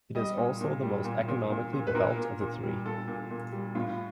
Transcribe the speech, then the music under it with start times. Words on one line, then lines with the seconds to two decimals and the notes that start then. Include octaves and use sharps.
It is also the most economically developed of the three.
0.15 G3 D#5
0.37 A#2
0.61 A#2
0.83 G3
1.05 A#2
1.28 A#2
1.50 A#2
1.73 A#2
1.87 B4
1.95 A#2 A#4
2.17 A#2
2.41 A#2
2.63 G3
2.86 A#2 A4
3.08 A#2
3.31 A#2
3.52 G3
3.75 A2 F4